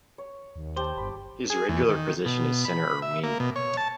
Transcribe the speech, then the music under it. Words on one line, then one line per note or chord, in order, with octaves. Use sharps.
His regular position is centre or wing.
C#5
D#2
G4 C5 A5
G1 B5
G#4
E2
D#3
B2
B5
E5
A#3
B2
C#5
A5